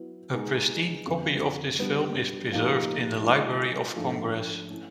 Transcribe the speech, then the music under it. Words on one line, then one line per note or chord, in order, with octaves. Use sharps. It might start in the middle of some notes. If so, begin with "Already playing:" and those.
A pristine copy of this film is preserved in the Library of Congress.
Already playing: F#3 B3 E4
G#3 B3 D#4 G#4
F2 D3 F3
G3 B3 D4 G4
A2 F3 A#3 D#4 G4
D#3 G#3 C#4 F4
G#2 F3 A3 D4
A3 C#4 E4